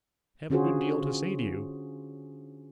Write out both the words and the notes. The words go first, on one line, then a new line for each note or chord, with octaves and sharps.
I have a good deal to say to you.'
D3 C#4 F4 F#4 G#4 C5